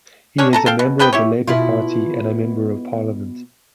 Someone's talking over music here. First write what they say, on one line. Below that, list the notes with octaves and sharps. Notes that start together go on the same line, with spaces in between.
He is a member of the Labour Party and a Member of Parliament.
C#4 D4 C#5
A4 A5 A#5
A4 F5 G5
B2
D4 B4 D#5 G5
E4 G4 C#5
B2 E4 F4